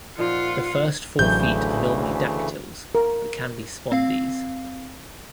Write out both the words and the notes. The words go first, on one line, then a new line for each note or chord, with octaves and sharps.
The first four feet are normally dactyls, but can be spondees.
A#2 F3 D#4 F4 F#5
A1 D2 C#3 E3 F#3 A3 G6
A#4
C4 F5 C7